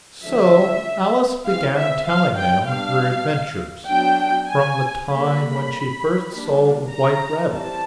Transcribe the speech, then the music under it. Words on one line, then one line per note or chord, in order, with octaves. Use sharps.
So Alice began telling them her adventures from the time when she first saw the White Rabbit.
D3 F3 G#3 C#4 E5
E3 G#3 C4 F5
E5
F5
G5
G3 B3 D4 F5
F#3 B3 D4 G5
G#5
D3 G3 A#3 B5
D#3 G3 A#3 D4
A#5
E3 G3 C4 A5